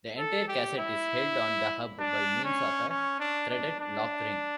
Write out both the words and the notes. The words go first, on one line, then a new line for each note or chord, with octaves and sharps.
The entire cassette is held on the hub by means of a threaded lockring.
A4
G4
E4
D4
C#4
C#4
D4
D4
D4